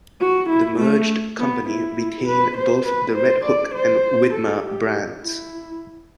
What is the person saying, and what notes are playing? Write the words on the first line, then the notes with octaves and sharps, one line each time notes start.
The merged company retained both the Redhook and Widmer brands.
F#4
E4
A3
B3
E4
B4
C5
B4
C5
D5
C5
A4
G4
E4